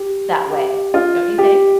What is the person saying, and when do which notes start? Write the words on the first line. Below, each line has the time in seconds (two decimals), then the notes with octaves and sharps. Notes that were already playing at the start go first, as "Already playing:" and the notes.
that way, don't you think?
Already playing: G4
0.51 G4
0.94 F4
1.38 G4